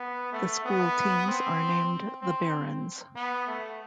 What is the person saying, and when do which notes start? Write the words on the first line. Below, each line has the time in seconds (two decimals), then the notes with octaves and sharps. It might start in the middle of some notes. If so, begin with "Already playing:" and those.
The school teams are named the Barons.
Already playing: B3
0.33 A3
0.64 B3
1.27 C4
2.22 C4
3.16 B3
3.47 A3